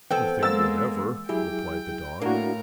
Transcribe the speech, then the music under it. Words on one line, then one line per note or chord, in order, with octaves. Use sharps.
"Nothing whatever," replied the dog.
E3 B3 C4 A4 G5
G#3 A#3 E6 A6
F#3 E4 G4 G#4 G5
A2 A#3 D4 E4 F#4 A#4